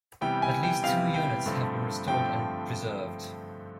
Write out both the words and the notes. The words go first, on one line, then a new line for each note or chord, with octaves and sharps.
At least two units have been restored and preserved.
C3 E3 G3 B3 G5
G#5
G5
C3 E3 G3 B3 F5
G5
G2 D3 F3 A3 C4
G2 D3 F3 A3 C4 G5